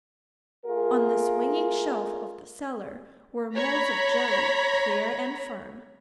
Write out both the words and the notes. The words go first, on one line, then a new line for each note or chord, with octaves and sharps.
On the swinging shelf of the cellar were moulds of jelly clear and firm.
A3 F4 G#4 A#4
C#5 A#5 B5 B6